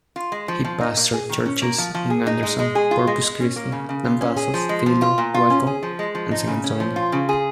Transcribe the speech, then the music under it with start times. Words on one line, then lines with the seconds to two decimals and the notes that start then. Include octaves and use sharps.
He pastored churches in Anderson, Corpus Christi, Lampasas, Taylor, Waco, and San Antonio.
0.16 F4
0.32 G#3
0.48 F3
0.64 F3
0.81 D#4
0.97 A#3
1.13 G#4
1.29 D#3
1.46 C#4
1.62 A#3
1.78 F3
1.94 F3
2.10 G#4
2.27 D#4
2.43 G#3
2.59 G#3
2.75 G#4
2.91 F4
3.07 G#3
3.24 G#3
3.40 C#4
3.56 A#3
3.72 C#3
3.89 C#3
4.04 F4
4.21 C#4
4.37 G#4
4.54 F3
4.69 G#3
4.86 F3
5.02 F4
5.18 A#2
5.34 F4
5.50 C#4
5.67 G#4
5.83 F3
5.99 G#3
6.15 F3
6.31 D#4
6.47 C#3
6.64 C#4
6.80 F3
6.96 F4
7.12 C#3
7.29 G#4